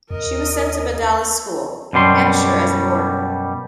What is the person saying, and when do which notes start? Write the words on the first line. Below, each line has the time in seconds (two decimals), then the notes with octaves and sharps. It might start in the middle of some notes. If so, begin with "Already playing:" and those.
She was sent to Bedales School, Hampshire as a boarder.
0.11 D#2 A#4 D#5
1.93 F#2 B2 G3 C6